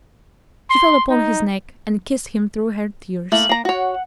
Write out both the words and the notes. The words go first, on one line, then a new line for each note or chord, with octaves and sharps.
She fell upon his neck, and kissed him through her tears.
C6
D#4
A3 A#3 E4 F#7
A#3 A#5
F#4 C#5 F#5